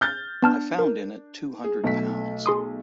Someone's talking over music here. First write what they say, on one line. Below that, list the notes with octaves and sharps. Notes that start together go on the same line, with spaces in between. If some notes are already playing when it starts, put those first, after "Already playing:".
I found in it two hundred pounds.
F6 G6 A6
B3 D4 A5 F6
A#4
G#4
B1 A3 B6
G#4 C6 D#6